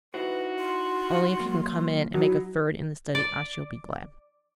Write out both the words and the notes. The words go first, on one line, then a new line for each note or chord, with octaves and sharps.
Only, if you can come in and make a third in the study, I shall be glad.'
D#4 E4 F#4 B4 C5
C6
F#3 A#3
F#3 D#4 E4
D5